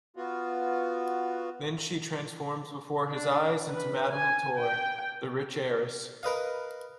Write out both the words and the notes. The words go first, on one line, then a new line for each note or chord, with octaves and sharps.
Then she transforms before his eyes into Madame Latour, the rich heiress.
B3 F4 F#4
D4
B4
G#5
G5
A#4 B4 D#5 F5